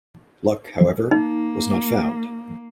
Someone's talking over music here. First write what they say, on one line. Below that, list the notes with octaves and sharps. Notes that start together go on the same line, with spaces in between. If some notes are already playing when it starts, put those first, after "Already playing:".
Luck, however, was not found.
A#3 D#4